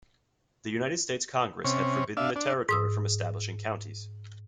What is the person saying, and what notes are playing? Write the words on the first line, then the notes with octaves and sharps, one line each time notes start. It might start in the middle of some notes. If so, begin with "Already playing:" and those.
The United States Congress had forbidden the territory from establishing counties.
C3 C#4
D4 E5 F5
D4
G#2 D#6 E6